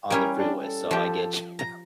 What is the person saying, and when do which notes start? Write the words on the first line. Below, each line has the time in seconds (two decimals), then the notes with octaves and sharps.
on the freeway, so I get you,
0.10 G3 C#4 E4 A#4
0.38 D4
0.62 A4
0.91 F3 G4
1.59 A#5